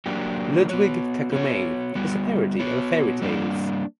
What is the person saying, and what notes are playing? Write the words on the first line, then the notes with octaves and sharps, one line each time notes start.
"Ludwig Kakumei" is a parody of fairy tales.
F#3 A#3 D4 G4
B3 F#4 C#5
B3 F#4 C#5
G3 B3 F#4
B3 F#4 C#5
G3 A#3 D4